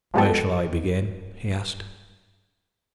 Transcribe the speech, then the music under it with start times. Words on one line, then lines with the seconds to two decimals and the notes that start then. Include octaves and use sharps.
"Where shall I begin?" he asked.
0.14 F3 F#3 G#3 B3 G4 A4